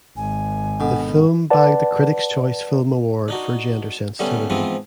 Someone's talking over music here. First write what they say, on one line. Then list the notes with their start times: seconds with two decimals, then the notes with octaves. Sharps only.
The film bagged the Critics’ Choice film award for Gender Sensitivity.
0.17 G#1 G#5
0.80 B2 D4 A4 F#5
1.50 B4 D5 F#5 A5
3.28 D4 D#4 F#4
4.19 D3 G3 A3 B3 C#4
4.50 G#2 E3 F3 B3 C4